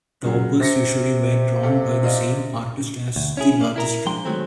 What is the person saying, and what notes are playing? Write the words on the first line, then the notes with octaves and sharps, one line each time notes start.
Toppers usually were drawn by the same artist as the larger strip.
A#2 C#3 F#3
C3 A6 A#6 C#7
G4 A4 F5
D5 D#5 F5
D2
C#4 E4 G#4
A#3 D5
E4 A#4 A#5
F3 G#3 D4 G5 C6
D#3 F3 F#3 G#3 A3 C4